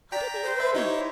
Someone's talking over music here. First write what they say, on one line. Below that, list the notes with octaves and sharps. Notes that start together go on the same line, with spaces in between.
How do they live?
D5 G5 A#5 B6
C5
B4 E5
D#4 E4 G4 C#5